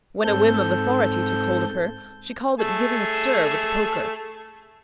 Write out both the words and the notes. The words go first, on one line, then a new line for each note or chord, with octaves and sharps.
When a whim of authority took hold of her, she called it giving a stir with the poker.
G#2 C4 A4 G6
A3 G#4 A5